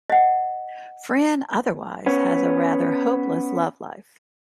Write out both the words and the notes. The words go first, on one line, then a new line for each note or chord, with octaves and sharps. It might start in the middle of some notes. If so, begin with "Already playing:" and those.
Fran otherwise has a rather hopeless love life.
D#5 F#5
B3 C#4